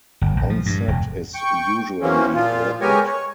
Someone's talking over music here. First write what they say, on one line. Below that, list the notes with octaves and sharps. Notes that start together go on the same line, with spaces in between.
Onset is usually rapid.
G1
A#1
F3
G2
E1
G5 C#6
E3 F#3 A#3 C4 C#4
A#2 F3 F4
G#3 B3 G4 A#4 C#5 G#5
C#5